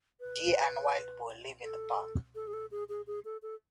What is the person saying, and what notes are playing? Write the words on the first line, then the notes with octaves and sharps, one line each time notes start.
Deer and wild boar live in the park.
B4
A4
A4
G#4
A4
G#4
G#4
G#4
A4
A4